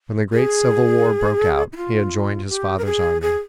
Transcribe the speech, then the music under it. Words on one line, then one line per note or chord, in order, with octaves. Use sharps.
When the great Civil War broke out he had joined his father's army.
G#4
E4
F4
G4
A#4
G#4
G#4